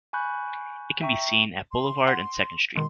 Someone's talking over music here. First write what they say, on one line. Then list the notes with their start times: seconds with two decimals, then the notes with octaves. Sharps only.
It can be seen at Boulevard and Second Street.
0.13 G#5 B5 C#6 F#6 G6
1.01 E5 G5 A#5 C#6
1.71 C6
2.07 F#5
2.76 B2 D#3 G#3 C6